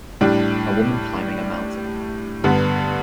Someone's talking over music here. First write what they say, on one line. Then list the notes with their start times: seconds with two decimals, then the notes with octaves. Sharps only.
A woman climbing a mountain.
0.21 A2 G3 D4
2.44 G2 D3 B3